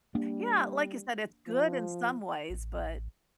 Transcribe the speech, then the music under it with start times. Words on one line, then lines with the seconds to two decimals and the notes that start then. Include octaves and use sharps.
Yeah, like I said, it's good in some ways, but
0.15 G3 A#3 D4
1.47 F3
2.50 A1